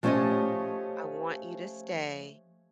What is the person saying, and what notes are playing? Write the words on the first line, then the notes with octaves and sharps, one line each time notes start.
I want you to stay.
F3 A3 C#4 G4 C#5 D#5